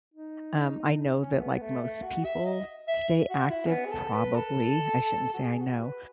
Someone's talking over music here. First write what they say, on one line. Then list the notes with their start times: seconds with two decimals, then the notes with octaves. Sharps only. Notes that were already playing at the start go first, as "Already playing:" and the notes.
Um, I know that, like, most people stay active, probably, I shouldn't say I know,
0.14 D#4
1.20 C#4
1.33 A3
1.40 B3
1.61 A3
1.82 A3
2.03 F#4
2.24 E5
2.46 D#5
2.88 E5
3.30 F#4
3.50 E4
3.67 C#4
3.71 B3
3.85 G#4
3.92 A4
4.13 B4
4.35 A4
5.34 F#4
5.40 G#4
5.61 F#4
5.81 B4